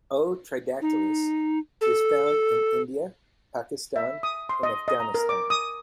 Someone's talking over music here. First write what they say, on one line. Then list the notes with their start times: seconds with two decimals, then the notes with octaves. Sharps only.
"O. tridactylus" is found in India, Pakistan, and Afghanistan.
0.81 D#4
1.81 A4
3.96 E5
4.23 D#6
4.49 C6
4.63 D#5
4.88 D#5
5.00 A#5
5.14 A#4
5.29 D6
5.50 D#6